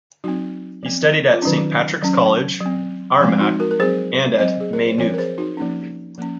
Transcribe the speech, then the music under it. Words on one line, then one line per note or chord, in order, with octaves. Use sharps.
He studied at Saint Patrick's College, Armagh and at Maynooth.
F#3 C4 D#4 F#4
F3 C4
F4
D#3 F#3 C#4 D#4
F#3 C#4
F#3
C4
F3 G#3 C4
D#4 F#4
F#4 A#4
A#4
F#3 C4 G#4 C5
F#3 C4 C5 D#5
G#4
A#4
C5
F3 C4 A#4 C#5
A#4
G#4 C5
D#4 F#4
F3 A#3 C#4 D#4
F3 A#3 C#4